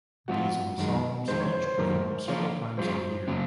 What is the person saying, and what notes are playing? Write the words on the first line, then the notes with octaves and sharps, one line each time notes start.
These ensembles each perform several times a year.
G#2 F3 C4 F4 F#4
F#2 D#3 G#3
F2 D#3 G#3 C5
C#5
C5
C5
F#2 D#3 A#3 A#4
F3 A#3 C#4 F4
G#2 F#3 C4 F4 G#4 C5
C#3 F#3 A#3 C#4